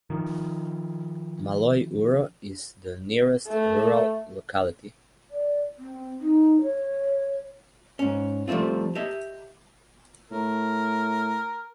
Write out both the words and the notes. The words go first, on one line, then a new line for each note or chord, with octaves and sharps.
Maloye Uro is the nearest rural locality.
D#3 F3
A3
D5
C4
D#4
C#5
G#2 C#4
F3 G3 A3 C4 F4
G4 D#5 E5
A2 A#4